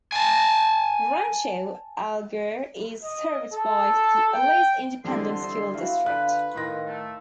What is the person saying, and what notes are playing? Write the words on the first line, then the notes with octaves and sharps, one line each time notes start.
Rancho Alegre is served by the Alice Independent School District.
G#5 A5
D#5
A4
G5
F2 D3 E3 G3 C4 C6
D3 E5 D#6 E6
E4 F#4 F5 B5
D3 F4 B4 F#6
A2 D#3 C6 A#6
A3